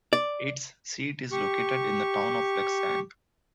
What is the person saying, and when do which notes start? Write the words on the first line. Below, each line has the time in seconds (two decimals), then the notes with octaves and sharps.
Its seat is located in the town of Leksand.
0.13 D5
1.32 G4 C#6